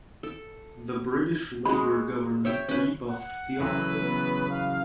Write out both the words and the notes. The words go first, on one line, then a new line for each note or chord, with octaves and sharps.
The British Labour government rebuffed the offer.
A4
G#3 F#4 B5
C#5 E5 G5
C#4 B4
F#5
C#3 E3 F#3 A4 B4
B3
F5